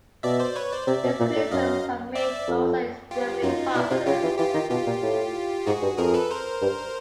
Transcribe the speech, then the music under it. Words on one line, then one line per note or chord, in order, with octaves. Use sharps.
His criticisms have made Moussa extremely popular.
B2 D5 E5
C5 D5
B4 C#5
C5 D5
C3 D5 E5
B2
A#2
A2
F#2 D#5 F5
D5 E5
F2
F4 G4
F#2 D#4 F4
B2 D4 E4
C3 D#4 F4
C#3 F4 G4
E3
E3 F4 G4
D#3
B2 F4 G4
A#2
A2
G#2 F#4 G#4
G2
F2 G#4 A#4
A4 B4
A#4 C5
G2